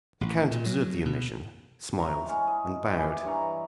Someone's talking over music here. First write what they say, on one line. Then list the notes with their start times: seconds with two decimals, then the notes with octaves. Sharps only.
The count observed the omission, smiled, and bowed.
0.21 A1
0.51 A#2
0.66 F#3
1.05 B2
1.98 E4 C#5 A#5
2.25 G#3 C#4
2.47 D#5
2.93 E3 E4 D5
3.24 G2 E3 C#5 A#5